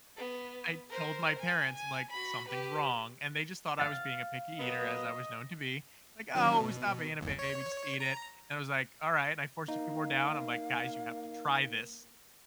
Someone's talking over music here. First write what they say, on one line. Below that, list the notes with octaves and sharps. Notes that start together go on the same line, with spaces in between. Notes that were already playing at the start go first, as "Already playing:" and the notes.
I told my parents, I'm like, "Something's wrong," and they just thought I was being a picky eater as I was known to be, like, "Oh, stop being a baby, just eat it," and I was like, "Alright," and I forced a few more down, I'm like, "Guys, you have to try this,"
B3
A#4 C5
G#5
G#5
F#4 B5
G4 B4
F5 A6
F#3 A#3 B3 D#5
D#3 F#3 C#4
B2
G1 D#2
C#5
A#5
A#3 D#4 F5